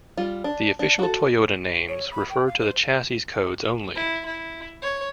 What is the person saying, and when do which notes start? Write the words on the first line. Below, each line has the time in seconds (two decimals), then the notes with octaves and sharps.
The official Toyota names refer to the chassis codes only.
0.17 G3 F4
0.44 D4
0.79 D4
0.99 F#4 A4
1.88 C#5
2.11 B5
2.30 G5
2.47 F5
2.60 C5
3.95 E4
4.25 E4
4.82 C#5